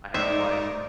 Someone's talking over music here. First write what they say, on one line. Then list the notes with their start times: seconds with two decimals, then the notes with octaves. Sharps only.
I have like,
0.14 G#2 A3 D#4 C5 D5 E5